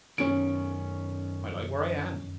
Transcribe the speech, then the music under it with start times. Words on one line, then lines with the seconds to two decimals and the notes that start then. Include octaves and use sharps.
I like where I am.
0.18 F#2 D#3 C#4 D7